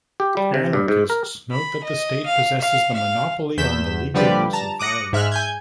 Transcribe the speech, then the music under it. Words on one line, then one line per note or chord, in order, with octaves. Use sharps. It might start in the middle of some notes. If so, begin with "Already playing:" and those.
Anarchists note that the state possesses the monopoly on the legal use of violence.
G4
G3
C3
G2
G#2
A#4
B5
D#5
F5
F5
F5
E2 G6 B6 E7
D3 F3 G3 G4 B4 D5
A5 A#5
D6 D#6 F#6 A#6 C#7
G#2 E5 F6 F#6
G#5 G6 G#6